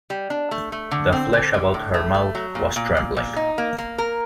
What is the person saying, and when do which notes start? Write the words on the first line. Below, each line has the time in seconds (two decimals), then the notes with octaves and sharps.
The flesh about her mouth was trembling.
0.10 G3
0.30 D4
0.51 A3
0.72 A3
0.91 D3
1.12 C4
1.33 D3
1.54 D3
1.74 A2
1.94 A3
2.14 A3
2.35 F#3
2.55 A#2
2.76 A#2
2.97 A#2
3.17 A#2
3.36 D#4
3.58 A#3
3.78 A#3
3.98 A#4